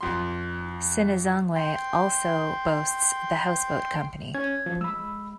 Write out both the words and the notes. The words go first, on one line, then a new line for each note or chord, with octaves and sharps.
Sinazongwe also boasts The Houseboat Company.
F2 C6
G5 C6
C#4 G#6
F3
G#3 B5 E6